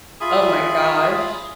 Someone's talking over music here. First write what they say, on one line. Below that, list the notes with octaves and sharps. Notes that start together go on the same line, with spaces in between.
oh my gosh.
F4 G#4 E5 B5